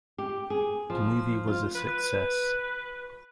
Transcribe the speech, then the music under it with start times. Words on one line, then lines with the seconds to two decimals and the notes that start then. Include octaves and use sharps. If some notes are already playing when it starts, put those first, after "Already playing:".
The movie was a success.
0.18 G4
0.50 G#4
0.90 F3
1.47 F4
1.75 B4